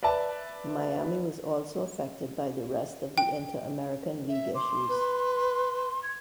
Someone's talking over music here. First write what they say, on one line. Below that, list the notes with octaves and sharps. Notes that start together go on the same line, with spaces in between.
Miami was also affected by the rest of the Inter–American League issues.
B4 D5 E5 A5
G5
E5
C6 D6
B4
G#6